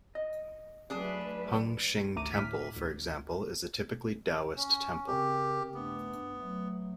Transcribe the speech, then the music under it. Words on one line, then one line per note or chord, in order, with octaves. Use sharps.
Hung Shing Temple, for example, is a typically Taoist temple.
D#5
F#3 A3 D4 G#4 B4
G#1 D2 A3 A#5 D6 D#7
A2 F6 B6
D2
C#4
C#3 C4 G4 A#4
G2 A3 B3 D4
F#3 A3